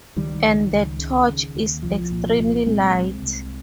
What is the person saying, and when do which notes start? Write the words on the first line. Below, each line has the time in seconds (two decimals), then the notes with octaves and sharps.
And the torch is extremely light.
0.16 C#2 D#3 G3
0.44 C#2
0.71 C#2
0.99 C#3
1.28 C#3
1.55 D#2
1.83 C2 F3
2.12 A#2
2.39 C2
2.66 A#2 G#3 C4
2.95 C2
3.22 C2